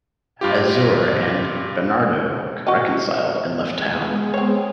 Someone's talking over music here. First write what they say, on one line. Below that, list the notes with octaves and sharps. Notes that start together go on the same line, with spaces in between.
Azure and Bernardo reconciled and left town.
G2 F4 G4
F#4 G4 D#5
G#3 B3 G#4
C4 C#5